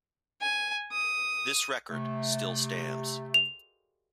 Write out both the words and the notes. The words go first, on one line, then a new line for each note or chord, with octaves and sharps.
This record still stands.
G#5
D#6
C3 A3
F7